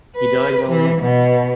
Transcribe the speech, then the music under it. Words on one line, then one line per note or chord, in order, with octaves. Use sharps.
He died while in office.
B4
E3
B2